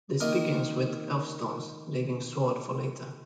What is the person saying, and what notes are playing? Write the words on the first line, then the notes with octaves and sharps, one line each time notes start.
This begins with "Elfstones", leaving "Sword" for later.
D#3 A#3 A#4 D#5